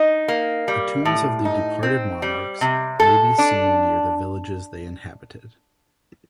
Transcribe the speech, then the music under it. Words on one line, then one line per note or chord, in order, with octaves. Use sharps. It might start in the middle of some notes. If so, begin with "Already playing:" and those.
The tombs of the departed monarchs may be seen near the villages they inhabited.
Already playing: D#4
A#3
G3
A2
D#4
C4
G3
C3
A4
D4